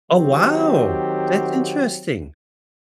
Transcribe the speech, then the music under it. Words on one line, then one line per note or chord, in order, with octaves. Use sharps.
Oh, wow! That's interesting.
D#3 F#3 C4 F#4 G4